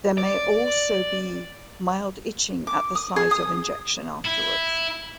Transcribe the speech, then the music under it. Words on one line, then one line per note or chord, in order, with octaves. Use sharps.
There may also be mild itching at the site of injection afterwards.
D5
D6
D#6
G#4
D#6
E4